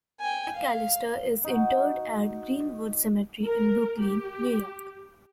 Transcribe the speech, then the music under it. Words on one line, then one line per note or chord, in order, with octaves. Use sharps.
McAllister is interred at Green-Wood Cemetery in Brooklyn, New York.
G5 G#5
F5
D#4 F#4
A#4
G4